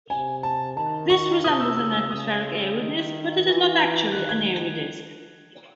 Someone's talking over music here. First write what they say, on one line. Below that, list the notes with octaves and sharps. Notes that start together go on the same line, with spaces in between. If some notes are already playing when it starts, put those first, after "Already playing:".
This resembles an atmospheric Airy disc but is not actually an Airy disk.
C3 G#5
A5
D#3 A5
C#6
C3 D#6
E6
C#3 E6
E6
C#3 D#6
D#3
E3
D#3 F#6
G#6